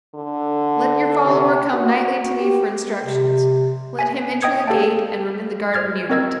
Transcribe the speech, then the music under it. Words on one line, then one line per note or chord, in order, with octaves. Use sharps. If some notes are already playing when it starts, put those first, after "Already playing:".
Let your follower come nightly to me for instructions; let him enter the gate and remain in the garden near it.
D3
C3
F#4
G4
C3
G#5 B6
D#5 G5 D#6 G#6 C#7
G4 A4 D5 F5 G5 A5
C5 D5 F6 G#6 A6
C4 F#4 A#4 D#5 E6 G#6